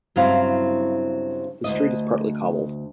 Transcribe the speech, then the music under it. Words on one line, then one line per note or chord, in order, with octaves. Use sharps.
The street is partly cobbled.
G2 C#3 F#3 C4 E4 F5
D2 D4 D#5